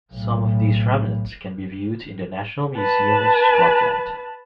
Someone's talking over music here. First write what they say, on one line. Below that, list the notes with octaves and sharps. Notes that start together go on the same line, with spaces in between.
Some of these remnants can be viewed in the National Museum of Scotland.
B1 A2
B4 A5